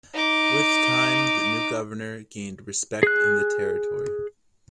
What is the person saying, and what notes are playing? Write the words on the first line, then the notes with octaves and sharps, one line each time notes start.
With time, the new Governor gained respect in the territory.
D#4 D6
G#4 F#6